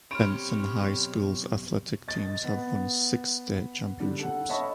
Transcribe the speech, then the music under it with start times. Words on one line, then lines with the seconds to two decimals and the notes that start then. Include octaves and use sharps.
Benson High School's athletic teams have won six state championships.
0.11 B1 C4 G4 C#5 B5 C6 F6 D7
2.08 D#5 A6
2.44 B3
4.00 D3 D#3 G3 D4
4.19 A4 F#5
4.49 C#5 D#5 E5 A5 B5 C#6